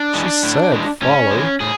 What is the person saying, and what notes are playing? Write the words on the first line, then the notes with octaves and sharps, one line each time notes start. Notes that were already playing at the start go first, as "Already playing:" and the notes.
"She said--follow."
Already playing: D4
E3 G#3
A2
E3 G#3
A2 C#4
E3 G#3
A2 G#4